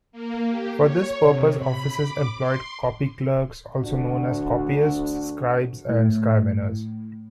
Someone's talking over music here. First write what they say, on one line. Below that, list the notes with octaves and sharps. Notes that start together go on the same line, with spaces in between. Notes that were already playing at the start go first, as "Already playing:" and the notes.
For this purpose offices employed copy clerks, also known as copyists, scribes, and scriveners.
A#3
G4
C#5
C3
B5
D6
C6
D2 D4 F#4
A2